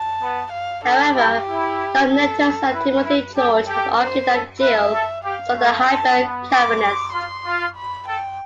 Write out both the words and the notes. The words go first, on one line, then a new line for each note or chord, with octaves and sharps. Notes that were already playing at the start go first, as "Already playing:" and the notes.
However, Tom Nettles and Timothy George have argued that Gill was not a hyper-Calvinist.
Already playing: A5
B3
F5
D4 A4
E4 G4
E4
A4
E4 B4
E4
G4 A4
G4 A4
C5
A4
B4 E5
A4
G4 F5
A3
A5
B3
D6
D6
F4 C6
F4
B5
A4 G5